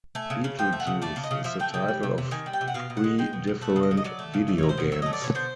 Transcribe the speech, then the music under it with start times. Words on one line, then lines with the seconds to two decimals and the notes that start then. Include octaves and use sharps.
Beetlejuice is the title of three different video games.
0.15 A3 G#5
0.30 C#3
0.44 C#3
0.59 F3 G5
0.73 A3
0.80 F#5
0.87 C#3
1.02 A3 D5
1.16 C#3
1.23 D#5
1.31 C#3
1.44 F3 E5
1.60 A3 G5
1.74 C#3 G5
1.88 G3
2.03 C3
2.18 C3
2.31 D#3 G#5
2.46 G3
2.53 G5
2.61 C3
2.68 F#5
2.74 B2 F5
2.90 B2
2.97 F#5
3.04 G#3
3.18 G#3 G5
3.33 B2
3.47 B2
3.61 A3 F#5
3.76 C#3
3.83 D#5
3.91 C#3
3.97 D#5
4.04 F#3 D5
4.19 A3
4.34 C#3
4.48 A3 D5
4.58 B2 C#5
4.69 C5
4.78 B2 C#5
4.92 F#3 E5
5.02 A3 D#5
5.13 D5
5.21 B2 C#5
5.35 D3 C5